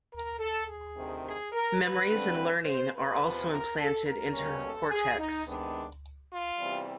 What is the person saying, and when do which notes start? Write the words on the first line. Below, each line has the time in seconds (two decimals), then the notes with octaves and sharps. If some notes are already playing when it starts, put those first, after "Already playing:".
Memories and learning are also implanted into her cortex.
0.11 A#4
0.40 A4
0.68 G#4
0.96 D2 C3 D#3
1.25 G#4
1.52 A#4
1.81 B4
2.09 G2 D3 G3 C4
2.65 C5
2.93 B4
3.22 E2 C3 F3
3.49 A#4
3.77 A4
4.06 A#4
4.34 B2 G3 A#3 C#4
4.62 A4
4.90 G#4
5.19 D#4
5.47 C3 D#3 G#3 B3 D4
6.31 F4
6.59 E2 C3 E3 G3